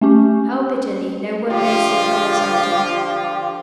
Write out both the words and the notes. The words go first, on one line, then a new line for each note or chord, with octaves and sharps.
How bitterly no one knows so well as I do.
A3 C#4 G4
D3 F3 F4 G4